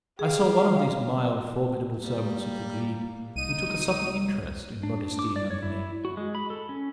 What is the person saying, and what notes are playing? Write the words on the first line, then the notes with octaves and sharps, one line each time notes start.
I saw one of these mild formidable servants of the glebe, who took a sudden interest in Modestine and me.
G4 G#4 F5
G3 A#3
C2 D#4 D#7
D4
D6
D5
C#5
E4
F#4
G#3
B5
A4
C#4